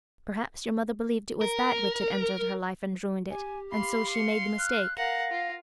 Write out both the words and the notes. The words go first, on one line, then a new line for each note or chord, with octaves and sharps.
Perhaps your mother believed it was that which had entered her life and ruined it; and so she made the mistake.
A#4
G4 G#5
F5 B5 C6
C#7
F6 F#6
A#4 F5 F#5 A#6
F4